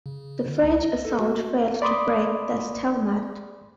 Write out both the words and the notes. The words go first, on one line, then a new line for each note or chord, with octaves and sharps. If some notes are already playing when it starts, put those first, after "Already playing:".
The French assault failed to break the stalemate.
C#3
D3
C#2
D#5
A4
F#4
D5 B5 C6 D6 D#6